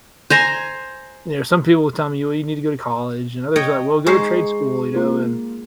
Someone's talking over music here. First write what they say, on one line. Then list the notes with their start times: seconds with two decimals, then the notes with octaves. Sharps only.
You know, some people will tell me, "Well, you need to go to college," and others are like, "Well, go to trade school," you know, and
0.30 C5 G#5 A#5
3.56 C#5 D#5 G5
4.06 G#3 D#4 C5 C#6 C7
4.94 A#3 F4